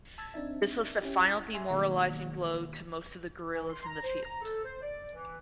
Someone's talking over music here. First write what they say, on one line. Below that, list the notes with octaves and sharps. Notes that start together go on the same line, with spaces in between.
This was the final demoralizing blow to most of the guerrillas in the field.
A5 E6 G#6 A6
C4 D4 D#4 E5
C#4 E4 G4
E5 G#5 C6
B2 D#3 F#3 G#3 A#3
E3
C6
A#5
C5
A#5
A4
C5
D5
E3